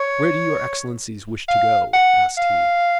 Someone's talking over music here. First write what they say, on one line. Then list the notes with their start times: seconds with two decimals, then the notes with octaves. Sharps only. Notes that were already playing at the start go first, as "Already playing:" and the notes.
"Where do your excellencies wish to go?" asked he.
Already playing: C#5
1.48 F5
1.93 F#5
2.38 F5